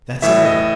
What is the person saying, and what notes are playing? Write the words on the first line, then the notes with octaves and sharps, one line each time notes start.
That's evident.
A2 E3 E5
D#5